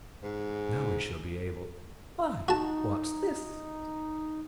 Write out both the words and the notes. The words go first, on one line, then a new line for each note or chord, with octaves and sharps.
"Now we shall be able--Why, what's this?"
G#2
D#4 F#4 A5